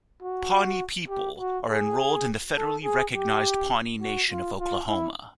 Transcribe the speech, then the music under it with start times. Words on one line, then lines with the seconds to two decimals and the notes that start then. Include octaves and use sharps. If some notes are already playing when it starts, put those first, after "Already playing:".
Pawnee people are enrolled in the federally recognized Pawnee Nation of Oklahoma.
0.22 F#4
1.09 G4
1.38 F#4
1.68 G#4
2.55 A4
2.84 G#4
3.14 G4
4.01 F#4
4.30 F4
4.59 F4
4.88 E4